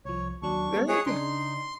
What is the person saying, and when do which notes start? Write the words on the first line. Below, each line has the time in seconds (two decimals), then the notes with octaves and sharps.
There you g
0.05 C2 F3 C#5
0.42 D#2 F#3 D4 C#6
0.75 G3 G#3 B3
0.88 G#4 C#5 D#5 D#6 F#6
1.06 C#3 D4 D#4 C6